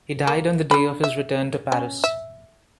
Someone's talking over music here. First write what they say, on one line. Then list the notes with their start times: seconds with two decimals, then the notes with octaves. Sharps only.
He died on the day of his return to Paris.
0.27 A#3
0.71 D3 B5
1.04 E5
1.72 C#4
2.04 E5